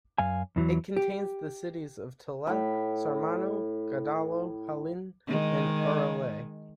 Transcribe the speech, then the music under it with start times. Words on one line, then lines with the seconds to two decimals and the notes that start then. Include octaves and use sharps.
It contains the cites of Taleh, Sarmanyo, Godaalo, Hallin, and Aroley.
0.18 F#2 F5 G#5
0.56 E2 E3 F#3
0.96 G4
2.47 A2 B5
5.27 D#3 G#3